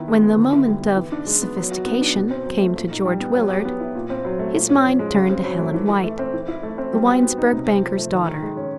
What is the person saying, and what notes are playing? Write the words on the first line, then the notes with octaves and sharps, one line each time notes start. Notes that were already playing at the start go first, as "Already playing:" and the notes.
When the moment of sophistication came to George Willard his mind turned to Helen White, the Winesburg banker's daughter.
Already playing: D#3 B3 E4
G#3
B3
D3
E4
G3
B3
E3
D4
G#3
B3
F#3
F#4
B3
D4
B2
C4
F#3
A3
A#2
D#4
G3
B3
F#3
G4
B3
E4
A#2
C4
F#3
A3
A#2
C#4
F3
G#3
C#3
C4
F#3
A3
E3
E3
A3
C4
E3
E4
A3
C4
G3
F#4
B3
D#4
C3
C4
F3
A3
D#3
D#3
G#3
C#4